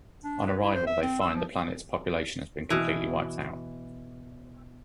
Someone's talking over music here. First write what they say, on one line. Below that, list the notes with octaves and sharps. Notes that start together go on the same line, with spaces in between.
On arrival, they find the planet's population has been completely wiped out.
D4
B4
E4
C5
E5
C4
E6
F3
B2 E3